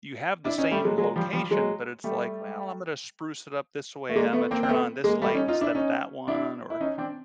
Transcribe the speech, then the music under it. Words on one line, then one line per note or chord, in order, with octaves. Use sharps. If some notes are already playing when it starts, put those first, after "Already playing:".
you have the same location, but it's like, "Well, I'm gonna spruce it up this way. Imma turn on this light instead of that one." Or
D4 E4
C#4 D#4
G3 A3
F#3 G#3
F#3 G#3
F3 G3
F3 G3
F#3 G#3
G3 A3
A3
G#3 A#3
A3 B3
A#3 C4
C4
A3 B3
G#3 A#3
G3 A3
C#4 D#4
D#4 F4
D4 E4
C#4 D#4
D4 E4
E4
C#4 D#4
C4 D4